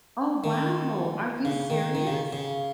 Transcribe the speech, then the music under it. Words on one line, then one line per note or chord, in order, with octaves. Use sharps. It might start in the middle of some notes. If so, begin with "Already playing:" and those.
Oh wow! Are you serious?
D#3
C#3
D#3
D#3
C#3
C#3